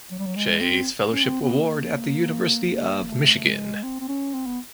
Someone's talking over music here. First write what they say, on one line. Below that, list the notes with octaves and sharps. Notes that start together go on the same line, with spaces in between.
Chase Fellowship Award at the University of Michigan.
F#3
G3
F#3
G#3
C4
C#4
C4
B3
A#3
A3
G#3
C4
C4
C#4
C4
B3